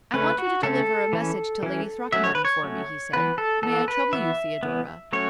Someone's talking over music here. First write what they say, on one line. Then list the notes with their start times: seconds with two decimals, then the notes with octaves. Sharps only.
"I want you to deliver a message to Lady Throckmorton for me," he said. "May I trouble you, Theodora?"
0.13 C#3 A3 C#4 B4
0.38 F#4
0.63 C#3 A3 C#4 A4
1.13 E3 C#4
1.63 E3 C#4
2.12 F#3 A3 C#4 E5
2.24 C#5
2.35 B4
2.45 C#5
2.63 F#3 A3 C#4
3.13 E3 B3 B4
3.38 A4
3.63 E3 B3 A4
3.88 B4
4.13 E3 B3 E5
4.63 E3 B3
5.13 F#3 A3 C#4 C#5